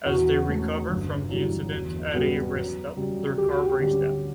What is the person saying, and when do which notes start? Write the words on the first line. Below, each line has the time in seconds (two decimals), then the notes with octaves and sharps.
As they recover from the incident at a rest stop, their car breaks down.
0.05 E2 F#4
0.47 B2 A3 C#4
0.88 G1
1.30 F#2 E3 G3
1.72 E2
2.14 B2 G3 B3
2.54 F#2
2.97 C#3 G3
3.38 D2 G4
3.52 F#4
3.66 G4
3.80 D3 G3 C#4